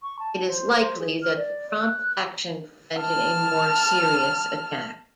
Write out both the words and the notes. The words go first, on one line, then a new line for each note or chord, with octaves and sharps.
It is likely that the prompt action prevented a more serious attack.
C#6
A5
C5
C5
G#4
F6
D5
F#6
A5 F6